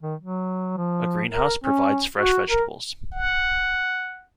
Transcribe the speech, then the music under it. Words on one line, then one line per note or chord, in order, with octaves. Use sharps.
A greenhouse provides fresh vegetables.
D#3
F#3
F3
A#4
C#4
F#4
A#4
F#5